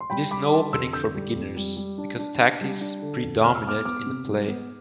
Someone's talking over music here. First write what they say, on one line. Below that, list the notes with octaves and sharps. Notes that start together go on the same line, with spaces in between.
It is no opening for beginners, because tactics predominate in the play.
C6
G3 G5 B5
G3 B5 D6
D3 A5 C6
F2 C6 E6
D3 E6 G6
G3
F2
G3
G3
D4
D4
D4
G3
D4
D3
F2
C3 F6
E6
B3 D6 F6
B3 D6 F6
C3
G3
B3